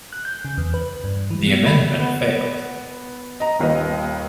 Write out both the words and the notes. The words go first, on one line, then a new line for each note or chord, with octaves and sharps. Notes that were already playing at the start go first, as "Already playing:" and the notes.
The amendment failed.
F#6
G6
C#3
E2
B4
G2
E3
B3
B5
B3
D#5 A#5
D#1 D#2 B4 D#5